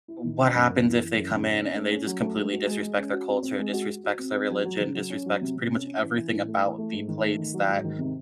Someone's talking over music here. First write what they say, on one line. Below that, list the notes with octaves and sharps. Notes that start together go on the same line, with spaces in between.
what happens if they come in and they just completely disrespect their culture, disrespects their religion, disrespects pretty much everything about the place that,
E4
D#3
C#4
F#2
F#2
E3
E3
F#2
C#3
C#4
C#4
A3
C#4
F#3
A3
G#3
F#4
G#3
G#3
C#4
F#4
C4
C4
G#3
F#4
F#4
F#4
C4
C4
F#3
F#3
C#3
F#3
C#4
F#3
C3
C3
C#4
C#4
E3
E3
A2
A3
E3
A3
G#2
D#3
A3
D#3
F#3
G#2
D#3
C3